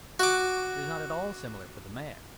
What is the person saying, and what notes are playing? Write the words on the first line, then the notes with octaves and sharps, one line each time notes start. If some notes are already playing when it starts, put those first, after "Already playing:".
It is not at all similar for the man.
F#4 D6